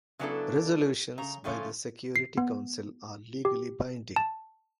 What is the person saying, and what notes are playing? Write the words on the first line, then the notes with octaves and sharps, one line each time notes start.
Resolutions by the Security Council are legally binding.
C#3 F#3 B3 D4 E4 A4
C#3 A#5
G2 C#3 F3 A3 C#4 F4
C7
B3
G4
A5